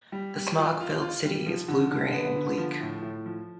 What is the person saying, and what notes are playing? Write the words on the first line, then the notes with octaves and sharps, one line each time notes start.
The smog filled city is blue-grey and bleak.
G3
G3
F4
F4
F4
G3
F3
D3
D3
B3
D3
F3
A2
A2
F3